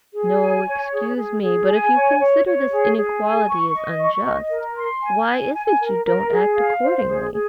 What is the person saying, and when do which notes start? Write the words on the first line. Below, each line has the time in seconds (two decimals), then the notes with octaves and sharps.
"No, excuse me, but if you consider this inequality is unjust, why is it you don't act accordingly?..."
0.14 G#4
0.40 G#5
0.66 C#5
0.92 G#4
1.16 G#4
1.42 G#4
1.68 G#5
1.95 C#5
2.19 C#5
2.46 C#5
2.71 G#4
2.97 G#4
3.22 G#5
3.48 C#6
3.73 D#5
4.00 C#6
4.25 D#5
4.51 A#4
4.76 C6
5.02 G#5
5.27 G#5
5.54 G#5
5.79 A#4
6.05 A#4
6.30 G#4
6.57 F5
6.82 C5
7.08 G#4
7.33 G#4